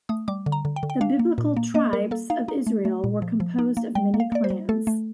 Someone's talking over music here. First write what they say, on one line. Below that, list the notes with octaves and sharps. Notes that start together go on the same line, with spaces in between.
The Biblical 'tribes' of Israel were composed of many clans.
A3 D#6
G3 D6
D3
A#5
D3
G5
D3
G5
D4 F5
A#3
A#2
A#3
A#3 D#5
G3 A#4
A#3 A4
D#4 F5
D#4
A3
A3
A#2
F3
F3
D#4
A#3
G3 G5
A#3
F5
A#3 D5
C5
G3
A3 A4
A3